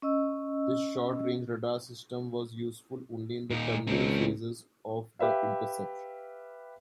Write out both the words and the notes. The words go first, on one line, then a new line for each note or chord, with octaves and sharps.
This short-range radar system was useful only in the terminal phases of the interception.
C#4 D#5 E6
A#2 D#4
C#2 C4 D#4
G4 B4 E5 F5